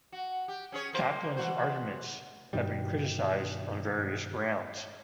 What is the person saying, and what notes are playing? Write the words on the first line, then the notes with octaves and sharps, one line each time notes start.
Kaplan's arguments have been criticised on various grounds.
F#4
G4
C#4 G#4 C#5
A#3 C5
E3 F#4 C5
G2 B2 D#3 G3